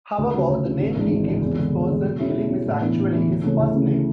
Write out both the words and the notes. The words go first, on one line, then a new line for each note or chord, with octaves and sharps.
However, the name he gives this person, "Elim", is actually his first name.
D2
C#3 F#3
D2
C#3 F#3
G#1
G#2 E3 G#3 D4
G#1
G#2 E3 G#3 D4
E2
D3 G#3
E2
D3 G#3
B2
F#3 C#4 E4 G#4
B2
F#3 C#4 E4 G#4
A2
E3 B3 D4
A2
E3 B3 D4
D2
C#3 E3 A3 C#4
D2
C#3 E3 A3 C#4